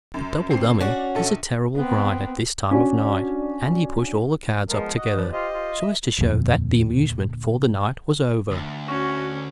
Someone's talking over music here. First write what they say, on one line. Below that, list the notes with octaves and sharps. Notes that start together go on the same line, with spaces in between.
"But double dummy is a terrible grind at this time of night." And he pushed all the cards up together, so as to show that the amusement for the night was over.
F#2
G1 C4 C7
C#4 F#4 D5
A#1 A4
B3 C4
C#4 D4 F#4
F3 G#3 B3 A#4
F#4 D#5 F#5
D#2 F3 B4 D5
F4 G4 C5 D#5
F4
E5
D#1 F2 A#2 D3
D2
C#4 F#4